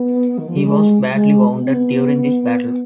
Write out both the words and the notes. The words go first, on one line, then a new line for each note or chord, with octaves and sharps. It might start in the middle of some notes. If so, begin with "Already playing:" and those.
He was badly wounded during this battle.
Already playing: B3
D#3
F3
G3
G#3
G#3
B3
C4
B3